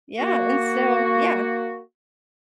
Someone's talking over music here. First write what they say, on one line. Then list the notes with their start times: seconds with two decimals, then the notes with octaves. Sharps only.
Yeah, and so yeah.
0.19 A#3 F#4